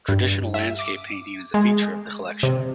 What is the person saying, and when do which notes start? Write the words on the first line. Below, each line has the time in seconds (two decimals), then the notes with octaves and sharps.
Traditional landscape painting is a feature of the collection.
0.08 G2
0.54 E5
0.79 D6
1.54 G#3
2.43 C3